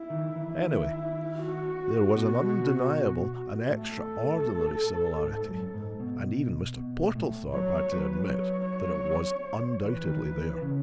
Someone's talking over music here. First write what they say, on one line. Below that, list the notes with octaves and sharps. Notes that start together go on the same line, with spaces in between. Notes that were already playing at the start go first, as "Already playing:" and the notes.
Anyway, there was an undeniable, an extraordinary similarity, and even Mr. Portlethorpe had to admit that it was--undoubtedly--there.
Already playing: E4
D#3
E3
D#3 E4
F#4
B2
A2 A4
G#2
F#2
G#2
B2
B2
A2
F#3 C#5
F#3 B4
C#5
E3 B4
D#3
E3
E3
C#3